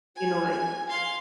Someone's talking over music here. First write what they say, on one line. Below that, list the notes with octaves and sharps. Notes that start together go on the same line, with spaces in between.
You know, like,
G#5
F5 C6